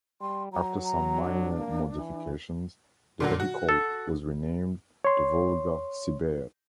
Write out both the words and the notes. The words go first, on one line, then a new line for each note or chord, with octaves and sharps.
After some minor modifications the vehicle was renamed the Volga Siber.
G3 C6
F#3 A#5
A#5
D4
A#3
E3
A#2 D3 F#3
F#4
A4
C#5 C6